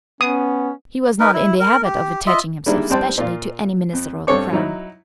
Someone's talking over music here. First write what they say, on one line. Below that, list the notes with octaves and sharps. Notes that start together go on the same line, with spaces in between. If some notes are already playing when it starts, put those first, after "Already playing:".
He was not in the habit of attaching himself specially to any Minister of the Crown.
B3 C#4 D#6
D#4 A#4 B4
E4
A#4
G4
F4 D#5 E5
D#3 G3 G#3 A#3 D4 E4
F2 G3 C4 G5 A5 C6
A#2 F4
F2
G2 C4 A4 C#5 D6
F#3 D#4 E4